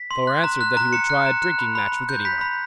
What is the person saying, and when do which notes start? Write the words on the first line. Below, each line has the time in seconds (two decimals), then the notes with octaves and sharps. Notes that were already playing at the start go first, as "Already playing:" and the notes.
Thor answered that he would try a drinking-match with any one.
Already playing: B6
0.11 C6
0.27 F#6
0.44 A#5
0.61 F#6
0.77 A#5
0.93 A#5 C#7
1.10 F#6
1.26 A#5
1.42 F#6
1.58 B5
1.75 B5
1.92 B5
2.09 G6
2.25 B5 B6
2.41 B5